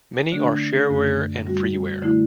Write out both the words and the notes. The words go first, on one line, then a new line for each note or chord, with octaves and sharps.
Many are shareware and freeware.
D3 A3 D4
F#2 D3 A3
B2 G3 C4 F#4
D3 A3 E4